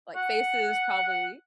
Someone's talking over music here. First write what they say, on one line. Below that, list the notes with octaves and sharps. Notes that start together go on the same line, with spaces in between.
like faces probably
F#5
F#5